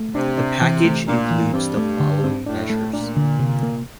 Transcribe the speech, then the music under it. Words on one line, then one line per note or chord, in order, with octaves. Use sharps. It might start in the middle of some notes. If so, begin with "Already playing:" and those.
The package includes the following measures.
Already playing: A3
C3 D4
D4
E3
A3
A#2 D4
E3
G2 C4
A3
D3
C4
A2 D4
A3
A#2 D4
D3
C3
A#3